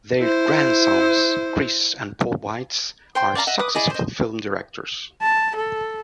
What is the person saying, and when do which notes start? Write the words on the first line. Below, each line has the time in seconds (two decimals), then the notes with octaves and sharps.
Their grandsons, Chris and Paul Weitz, are successful film directors.
0.20 E4 C5
3.15 C5 G5 C6
3.35 D5 F5 A5 A#5
3.47 D#5 E5 F#5
3.59 B4 D6 D#6
3.75 E4 G#4 D5 D#5
3.90 C5 D#5
5.22 A5
5.56 A4